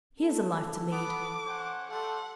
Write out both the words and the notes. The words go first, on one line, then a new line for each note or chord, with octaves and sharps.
Here's a life to lead!
A4
B3 D6
C#4 C5 F#5
G3 A3 A4 F#5 C6